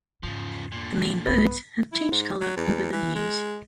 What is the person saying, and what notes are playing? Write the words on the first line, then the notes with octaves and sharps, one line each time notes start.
The main birds have changed color over the years.
E2 G#2 C#3 F3
A#2 D3
B1 G2 B3
E4
G#2
F#3
E2
E3
G#3